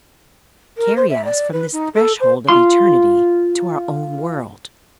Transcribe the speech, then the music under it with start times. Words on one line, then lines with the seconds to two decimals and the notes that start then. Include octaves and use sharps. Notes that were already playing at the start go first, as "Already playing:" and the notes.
"Carry us from this threshold of eternity to our own world."
0.77 A#4
0.96 C5
1.09 E5
1.24 D5
1.52 B4
1.72 D#4
1.94 A4
2.20 C5
2.49 F4 C6